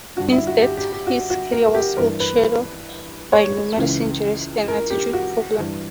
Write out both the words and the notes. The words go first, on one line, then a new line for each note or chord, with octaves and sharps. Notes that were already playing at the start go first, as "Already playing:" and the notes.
Instead, his career was overshadowed by numerous injuries and attitude problems.
G2 D3 F#4
E4
F#4
G4
G4
G4
F#4
F#4
A#4
G4
G2 E3 A#4
B4
C#5
C#2 C#3 E3
A#4
G4
F#4
G2 E3